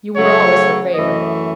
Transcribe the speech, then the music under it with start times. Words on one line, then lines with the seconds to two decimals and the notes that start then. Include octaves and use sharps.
You were always her favourite.
0.15 C#3 F#3 A3 C#5
0.94 F#2 E3 A3 D#5